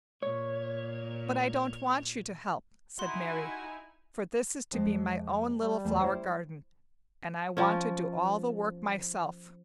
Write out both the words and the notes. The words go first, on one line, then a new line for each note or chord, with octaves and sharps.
"But I do n't want you to help," said Mary, "for this is to be my own little flower-garden, and I want to do all the work myself."
A#2 C#5
D#4 E4 F#4 G#5 C6
F2 G#3
G3
E2 A3
E4 C5
F3 C#4